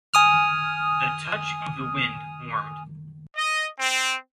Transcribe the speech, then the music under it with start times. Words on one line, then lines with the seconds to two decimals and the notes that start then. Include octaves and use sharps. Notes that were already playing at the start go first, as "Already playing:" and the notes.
The touch of the wind warmed.
0.14 G#5 D#6 F6
3.36 D#5
3.79 C4